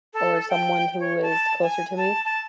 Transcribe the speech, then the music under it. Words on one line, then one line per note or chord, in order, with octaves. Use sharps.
or someone who is closer to me,
A4
G5
C#5
A5
G#5
A5
A5